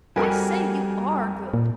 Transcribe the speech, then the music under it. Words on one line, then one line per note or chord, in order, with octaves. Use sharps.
'I say, you ARE good.'
F2 G3 F#4 G4 A#4 G#5
A#2